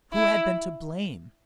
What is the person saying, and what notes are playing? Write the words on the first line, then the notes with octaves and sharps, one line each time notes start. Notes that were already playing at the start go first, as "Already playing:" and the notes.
Who had been to blame?
E4